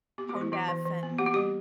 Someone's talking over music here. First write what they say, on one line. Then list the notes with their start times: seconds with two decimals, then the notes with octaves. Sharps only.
tone deaf and,
0.18 B3 G4
0.29 F#4
0.35 E3
0.41 E4
0.52 E3 F#4
0.68 E3
0.86 E3
1.03 B3
1.19 A#3 G4
1.26 F#4
1.34 G3 G4